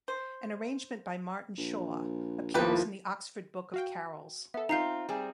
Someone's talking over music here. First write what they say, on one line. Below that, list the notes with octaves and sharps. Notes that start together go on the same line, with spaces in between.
An arrangement by Martin Shaw appears in the "Oxford Book of Carols".
C5
A#1
D#2 A2 F3 E4 F4 G4 A#4 B4
F#4 F5 G5
B3 A4 E5
C4 D#4 F4 A#5 G6 C7
G3 C4 G#4